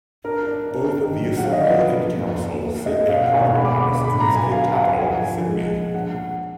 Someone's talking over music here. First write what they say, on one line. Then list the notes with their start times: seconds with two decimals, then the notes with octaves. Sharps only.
Both the Assembly and Council sit at Parliament House in the state capital, Sydney.
0.24 D4 A#4
0.48 D4
0.72 D4
0.96 D#3
1.19 F#3
1.37 F#5
1.43 D3 F5
1.53 D#5
1.59 D5
1.67 F3 B4
1.91 D4
2.14 A#3
2.38 D4
2.62 A#3
2.86 A#3 D#5
3.09 B2 F5
3.21 F#5
3.33 B2 G#5
3.45 F#5
3.57 G#3 B5
3.65 D6
3.72 B5
3.80 D3 D6
4.04 D4 B5
4.20 A#5
4.28 F#3
4.36 G#5
4.52 D3 F5
4.64 F5
4.75 D4 F#5
4.87 G#5
4.99 F3 G#5
5.23 F3
5.47 G#3
5.71 A#2
5.94 D4 F#5